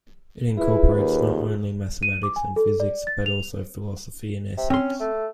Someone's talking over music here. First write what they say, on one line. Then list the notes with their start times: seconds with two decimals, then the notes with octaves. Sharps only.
It incorporates not only mathematics and physics, but also philosophy and ethics.
0.58 E4 F4 G#4 B4
0.95 D#2
2.03 D#7
2.23 D6
2.36 G#5
2.56 A4
2.80 D5
3.07 A6
3.26 F7
4.57 C3
4.70 C4 C#4 C6
5.00 A3